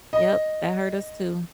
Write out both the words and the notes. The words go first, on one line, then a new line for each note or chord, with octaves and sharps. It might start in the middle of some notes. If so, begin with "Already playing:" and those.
Yep. That hurt us too.
D#5